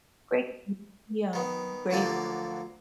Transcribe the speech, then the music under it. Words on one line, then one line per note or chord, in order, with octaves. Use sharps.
Great, m yum, great
D#3 B3
D2 D3 F3 F#3 A#3 D5